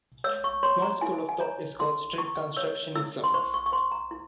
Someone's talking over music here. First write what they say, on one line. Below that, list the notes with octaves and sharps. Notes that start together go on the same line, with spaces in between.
One school of thought is called strict constructionism.
C#5 E6
C#6
C#5 C6
A#5
E4 G#5
G#5
C#5 A#5
E4 C6
E4 C#6
C#5 E6
E4 E6
C6
C5 C#6
C#6
C#6
C5 C6
A#5
E4